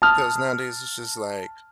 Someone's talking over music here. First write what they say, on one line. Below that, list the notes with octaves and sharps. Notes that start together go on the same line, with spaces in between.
‘cause nowadays, it's just like,
A5 D#6 F6